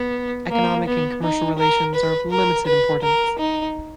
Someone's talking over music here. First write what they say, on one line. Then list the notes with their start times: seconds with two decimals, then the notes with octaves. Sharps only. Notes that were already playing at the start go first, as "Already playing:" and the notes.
Economic and commercial relations are of limited importance.
Already playing: B3
0.51 A#3
0.87 B3
1.23 D#4
1.59 A#4
1.95 B4
2.31 A#4
2.66 B4
3.02 A#4
3.39 D#4